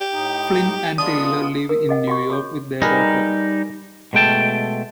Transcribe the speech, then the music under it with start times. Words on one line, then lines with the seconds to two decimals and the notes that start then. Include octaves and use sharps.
Flynn and Taylor live in New York with their daughter.
0.01 G4
0.12 A2 D#4
0.98 G#3 B3 D4 F4 D#6
1.69 A#4
1.89 G#4 D#5 F#5
2.08 F#4 F#5 C#6
2.30 F#4 G#4 C#5
2.82 G3 D#4 G#4 A#4 B4
4.13 B2 G#3 A3 G5 A5